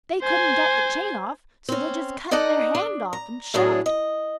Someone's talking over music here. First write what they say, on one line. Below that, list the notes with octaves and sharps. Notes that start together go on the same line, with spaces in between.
They couldn't get the chain off, so they just cut their hand off and shoved.
C5 G#5
C4 C#4
D#4 A4 D5 D#5 F#5 A#5
D4
A#5
A2 F#3 B3 D4 G#4
D#5